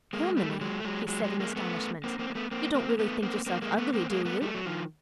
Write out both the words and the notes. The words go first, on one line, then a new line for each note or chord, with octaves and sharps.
"Kilmeny," he said in astonishment, "you don't really think yourself ugly, do you?"
G#3 A#3
G3 A3
G3
F#3 G#3
A3
F#3 G#3
F#3 G#3
F#3 G#3
G#3 A#3
A3 B3
A#3 C4
A#3 C4
A#3
A3 B3
A#3 C4
A#3 C4
A#3
A3 B3
A#3 C4
A#3 C4
G#3 A#3
A3 B3
A#3 C4
G#3 A#3
A3 B3
G3 A3
F#3
D#3 F3